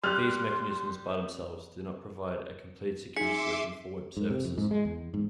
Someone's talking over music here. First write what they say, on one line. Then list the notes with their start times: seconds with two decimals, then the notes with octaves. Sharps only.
These mechanisms by themselves do not provide a complete security solution for Web services.
0.04 G3 C6 F6 F#6
3.16 D#4 G#4 E5 C6 D6 B6 C#7
4.17 G#2
4.30 C3
4.44 F2
4.58 G#2
4.71 G#3
4.85 E2
5.14 G#2